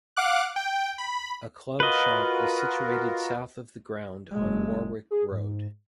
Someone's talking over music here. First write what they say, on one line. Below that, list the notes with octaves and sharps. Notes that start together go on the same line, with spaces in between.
A club shop is situated south of the ground on Warwick Road.
F5 F#5 D6 F#6
G5
B5
F4 F#4 A#4 B4 D#5
F#1 G#3
G#4
G#2